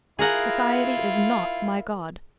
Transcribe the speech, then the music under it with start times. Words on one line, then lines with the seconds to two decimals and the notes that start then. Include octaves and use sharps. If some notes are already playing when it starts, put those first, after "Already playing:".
Society is not my God.
0.19 E4 F4 G#4 A#4 F#5